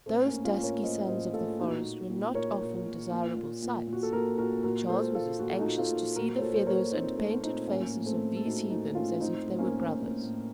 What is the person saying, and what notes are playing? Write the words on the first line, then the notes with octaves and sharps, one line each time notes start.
Those dusky sons of the forest were not often desirable sights; but Charles was as anxious to see the feathers and painted faces of these heathens, as if they were brothers.
A2 A3 C4
A#3 C#4
A2
C#4 F4
A2
A#4 C#5
A2 C5 D#5
A2 C5 D#5
A2 F4 A4
A#2 D#4 F#4
A#2
A#2
A#2 A#4 C#5
A#2
A#2
A#2
A#2
A#2
A#2
F#4
A4
A#2 F#4 A#4
A#2 F#4 A#4
A#2 F#4 A#4
A#2 A4 C5
A#2 F4 A4
A#2 F#4
A4
D#4 F#4
A#2
F4 A4
A#2
A#2 F#4 A#4
C#5
A#2 A4 C5
C5
A#2 A#4 C#5
A#2 C4 D#4
A#2 A3 C4
A#2 C4 D#4
A2 A#3 C#4
A2
A3 C4
A2
A4
A2 D#4 F#4
A2 D#4 F#4
A2 C#4 F4
A2 C4 D#4
A2
C4
A#3 C#4
A2
A2
A2